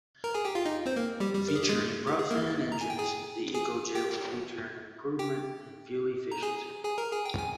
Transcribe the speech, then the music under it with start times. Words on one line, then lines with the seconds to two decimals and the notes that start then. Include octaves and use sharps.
Featuring propfan engines, the EcoJet would feature an improvement in fuel efficiency.
0.24 A#4 A#5
0.34 G#4 G#5
0.45 G4 G5
0.55 F4 F5
0.65 D#4 D#5
0.86 C4 C5
0.96 A#3 A#4
1.20 G3 G4
1.34 G3 G4
1.48 A#4
1.55 G#4
1.62 G4
1.69 G#3 G#4
2.07 G4
2.19 G#4
2.30 A#3 A#4
2.72 A#5
2.81 G#5
2.90 G5
2.99 G#4 G#5
3.54 G#4 G#5
3.95 G4 G5
5.19 G4 G5
6.32 A#5
6.42 G#4 G#5
6.84 G#4 G#5
6.98 A#4 A#5
7.12 G#4 G#5
7.26 G5
7.39 G#5